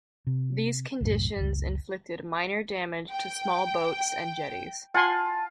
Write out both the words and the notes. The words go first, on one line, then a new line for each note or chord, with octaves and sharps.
These conditions inflicted minor damage to small boats and jetties.
C3
C2 F#2 A2
F#1 C#2
G5
F4 F#5 G#5 A5 C6